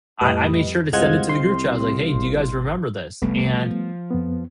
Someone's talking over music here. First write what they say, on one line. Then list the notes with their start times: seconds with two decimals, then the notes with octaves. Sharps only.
I I made sure to send it to the group chat, I was like, "Hey, do you guys remember this?" And
0.21 F2 A2 G3 B4 D#5
0.93 C2 G#3 F4 C5 D#5 F#5 G#6
1.29 C4 C6
2.15 G#1
3.22 F1 C2 G3 A3 B3
3.59 F3
4.11 F2 B3